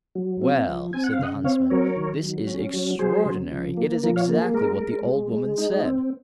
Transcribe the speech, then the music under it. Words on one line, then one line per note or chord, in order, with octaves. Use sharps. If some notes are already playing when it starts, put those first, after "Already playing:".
'Well,' said the Huntsman, 'this is extraordinary, it is exactly what the Old Woman said.'
F#3
C4
F3
C4 G#5
F#5
F5
C#3 D#5 F#5
C4 C#5 F5
F#3 A#4 C#5
D#3
F#3
C#4
F#3
F#3 G#4 C5
C#3
F3
A#3
F3 A#4
C#5 F5
A#3
G#4
G#3 A#4
G#3
G#3
G#3
D#4
C4